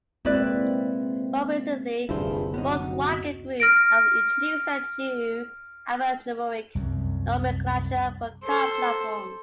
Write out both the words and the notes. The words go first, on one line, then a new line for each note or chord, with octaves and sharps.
More recently, Volkswagen Group have introduced a new alphanumeric nomenclature for car platforms.
G#3 A#3 C4 E4 B4 D5
F#1 D2 G2 C3 E4 F4 G#4 C5
F#3 B3 C#4 D#4 F#4
F6 A#6 D7
C2 F#2
A4 C5